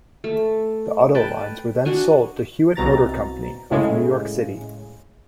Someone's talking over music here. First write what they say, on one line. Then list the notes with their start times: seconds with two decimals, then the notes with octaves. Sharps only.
The auto lines were then sold to Hewitt Motor Company of New York City.
0.24 A3
1.15 B4 G5 A5
1.85 D4 F#4 G#5 C#6
2.75 C2 B2 A#5 A6
3.71 A2 C#3 G#3